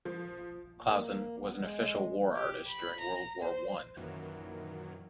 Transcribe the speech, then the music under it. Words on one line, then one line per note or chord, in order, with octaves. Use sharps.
Clausen was an official war artist during World War One.
F3
A#3
B3
G#3
G4
B5
A#5
C5
F#2 A#2 D#3 E3 F#3